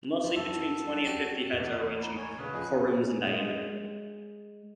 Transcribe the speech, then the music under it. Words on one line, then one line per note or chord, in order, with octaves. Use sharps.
Mostly between twenty and fifty heads are arranged in corymbs in diameter.
F3 E4
F#2 A4
F#4 G4 G5
A1 E2
D#4 E4
C#5 G#5
E2 C#3 B4
F2 G#4
G#3